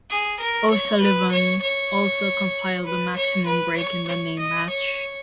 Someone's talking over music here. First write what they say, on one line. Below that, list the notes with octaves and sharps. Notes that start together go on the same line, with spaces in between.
O'Sullivan also compiled a maximum break in the same match.
G#4
A#4
C#5
B4
C#5
C#5
B4
C#5
B4
C#5
C#5
D#5
C#5